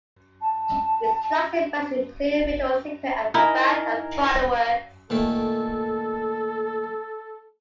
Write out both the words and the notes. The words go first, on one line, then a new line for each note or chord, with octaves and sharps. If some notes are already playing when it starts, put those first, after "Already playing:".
Its flagship brands include Victoria's Secret and Bath and Body Works.
A5
D#4 E4 A#4 G#5 A#5
A#2 D#3 A3 A4